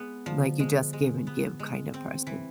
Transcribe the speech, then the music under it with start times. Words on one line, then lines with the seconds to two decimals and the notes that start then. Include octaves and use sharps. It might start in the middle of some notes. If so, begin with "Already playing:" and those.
Like, you just give and give kinda person.
Already playing: G#3 B3
0.26 D3 F3
0.59 G#3
0.93 G#3
1.27 B3
1.60 G#3
1.94 C4
2.27 E3